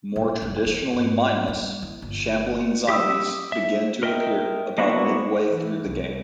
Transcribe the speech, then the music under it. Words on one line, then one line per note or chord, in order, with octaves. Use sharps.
More traditionally mindless, shambling zombies begin to appear about midway through the game.
A1
F1
E3
G#2
G3
E3
G1
G4 D#6 E6
E5
A#4 D#5 E5 G5
A#3 B3 D4 E4 F#4
E3
C2